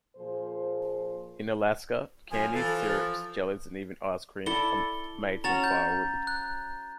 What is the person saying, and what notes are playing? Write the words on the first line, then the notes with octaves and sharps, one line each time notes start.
In Alaska, candies, syrups, jellies, and even ice cream are made from fireweed.
A#2 F3 G#4 C5
F#2 F3 G#5
E3 F3 A4
E4 A4 D5 G7
C#4 F#4 A#5 A6 F7
G6
F#6